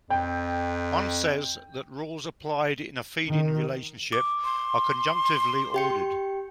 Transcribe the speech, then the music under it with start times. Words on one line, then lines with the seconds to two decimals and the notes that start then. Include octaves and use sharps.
One says that rules applied in a feeding relationship are "conjunctively ordered".
0.10 F2 G5
3.29 D#3
4.13 D6
4.44 C6
5.74 G4 G5 C#7